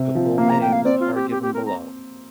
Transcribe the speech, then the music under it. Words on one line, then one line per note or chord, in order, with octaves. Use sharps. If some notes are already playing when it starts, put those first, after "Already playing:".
The full names are given below.
Already playing: C3
F3
A#3 F5
A#5
G5
F5
C4 D5
F4
G4
G4
G4
A#4
A#5